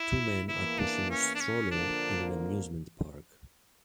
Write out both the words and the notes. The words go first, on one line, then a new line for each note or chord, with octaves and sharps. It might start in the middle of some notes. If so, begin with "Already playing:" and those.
Two men are pushing a stroller in an amusement park.
Already playing: E4
E2 E3 A#3 E4
D4
C#4
D4
C#4
D3 F3 A#3 D4